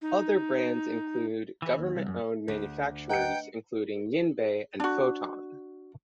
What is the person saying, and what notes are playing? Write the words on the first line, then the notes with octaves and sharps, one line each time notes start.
Other brands include government owned manufacturers including Jinbei and Foton.
D#4
E3
D#2
C2
F#2
D2
B4 D#5 F#5 G5 A#5 C#7
D4 F#4